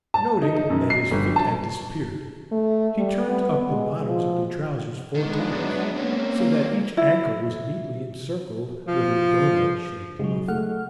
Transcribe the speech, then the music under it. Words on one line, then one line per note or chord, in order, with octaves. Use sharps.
Noting that his feet had disappeared, he turned up the bottoms of the trousers four times, so that each ankle was neatly encircled with a doughnut-shaped buffer.
A5
D#4
D#4
F#2
C7
G1
A5
A3
G3
B3
G#3
F3
D#3 G#3 B3 D4
F#2
A#3 C4 C#4
E4
F3
C#3 F#3 G#3
A3 F#5 F6